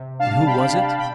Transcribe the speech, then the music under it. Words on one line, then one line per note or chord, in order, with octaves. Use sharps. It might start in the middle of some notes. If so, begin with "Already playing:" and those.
And who was it?
Already playing: C3
G3 D4 F5 A5
C3 G5 B5
G3 D4
B2 G5 B5